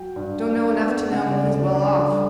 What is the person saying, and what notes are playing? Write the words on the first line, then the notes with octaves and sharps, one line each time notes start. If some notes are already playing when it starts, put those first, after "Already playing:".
Don't know enough to know when he's well off.
Already playing: F#3 G5
G2
D4
B3
C#3 F#5
D5
D2
D5
D4
G3